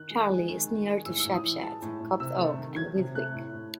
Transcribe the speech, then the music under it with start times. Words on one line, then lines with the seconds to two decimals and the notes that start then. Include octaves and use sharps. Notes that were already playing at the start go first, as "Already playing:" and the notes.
Charley is near to Shepshed, Copt Oak and Whitwick.
Already playing: D#3 F#6
0.10 G#3
0.30 G#3
0.49 D#3
0.67 D#3
0.86 G#3
1.05 A2 E6
1.20 E6
1.25 A2
1.33 D#6
1.43 E3
1.62 G#3 A5
1.82 A2
2.01 A2
2.20 C3 E6
2.38 A3
2.58 D#3
2.76 F#3 G#6
2.96 C3
3.15 A3 F#6
3.34 A2
3.53 A2